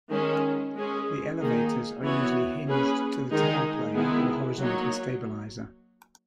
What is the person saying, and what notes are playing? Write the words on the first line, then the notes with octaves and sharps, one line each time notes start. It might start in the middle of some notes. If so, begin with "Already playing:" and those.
The elevators are usually hinged to the tailplane or horizontal stabilizer.
D#3 G#3 C#4
G#3 C#4 G#4
D#3 A#3 D#4 G#4
E3 B3 F#4 C#5
A#3 C#4 G#4 B4
D#3 G#3 D#4 G#4
D#3 G#3 B3 E4 G#4
F#3 A#3 D#4 F#4 C#5